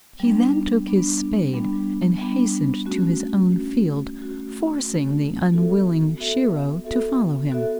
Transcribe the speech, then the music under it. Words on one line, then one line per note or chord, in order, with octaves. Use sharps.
He then took his spade and hastened to his own field, forcing the unwilling Shiro to follow him.
G3 B3 D4
G3 B3 D4
G3 B3 D4
G3 B3 D4
A3 C#4 F#4
A3 C#4 F#4
A3 C#4 F#4
A3 C#4 F#4
B3 F#4 A4 E5
B3 F#4 A4 E5
B3 F#4 A4 E5
B3 F#4 A4 E5